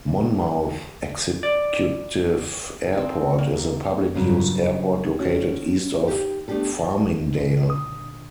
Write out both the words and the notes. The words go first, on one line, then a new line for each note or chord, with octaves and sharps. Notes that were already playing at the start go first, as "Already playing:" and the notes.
Monmouth Executive Airport is a public-use airport located east of Farmingdale.
D5
C4 D#4
A#3
G2 C#3 F#3 A#3
C#4 F#4
D#4 G4
A3 B3 D4 D#4 G4 A4
A3 C4
A2 C#3
A#2 D3 D#6